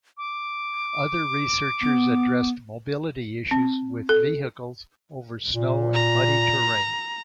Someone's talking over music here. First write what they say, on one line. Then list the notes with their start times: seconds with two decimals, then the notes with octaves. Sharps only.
Other researchers addressed mobility issues with vehicles over snow and muddy terrain.
0.18 D6
1.81 B3
3.51 C4
4.09 A4
5.53 A#2
5.94 A#5